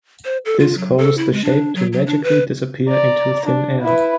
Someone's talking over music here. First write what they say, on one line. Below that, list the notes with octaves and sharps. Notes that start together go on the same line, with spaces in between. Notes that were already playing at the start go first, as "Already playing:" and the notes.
This causes the shape to magically disappear into thin air.
C5
A4
F4
F#3
A4
E4
G#3
D4
F#3
F#3
D4
B4
D5 A#5
D4
E4 B4